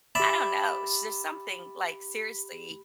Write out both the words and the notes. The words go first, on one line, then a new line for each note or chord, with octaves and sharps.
I don't know sh there's something, like, seriously,
G4 D5 E5 B5